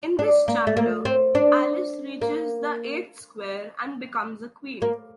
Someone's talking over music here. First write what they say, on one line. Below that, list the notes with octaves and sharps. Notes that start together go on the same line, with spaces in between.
In this chapter, Alice reaches the eighth square and becomes Queen.
D4
A#3
A3
A#3
C4
D4
A#3
A#3